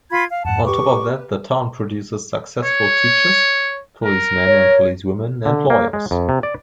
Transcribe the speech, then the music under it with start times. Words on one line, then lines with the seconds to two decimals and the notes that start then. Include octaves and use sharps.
On top of that, the town produces successful teachers, policemen and policewomen, and lawyers.
0.11 F4 B5 G#6
0.31 F5
0.45 F2 G#2 F#5 A5
0.65 G4 B4 C#6 D6
2.64 C#5
4.04 A#4
4.46 C#5
5.45 D3
5.70 A#3
5.93 G#3
6.11 F2
6.29 C3
6.43 D5